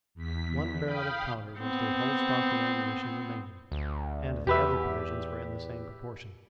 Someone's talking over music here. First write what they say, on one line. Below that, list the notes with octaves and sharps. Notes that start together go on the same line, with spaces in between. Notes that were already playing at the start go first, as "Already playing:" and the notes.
One barrel of powder was their whole stock of ammunition remaining; and their other provisions were in the same proportion.
E2 B6
F5 G5 B5 D#6 F6 G6
B3 C4
D2
E2 G4 B4 E5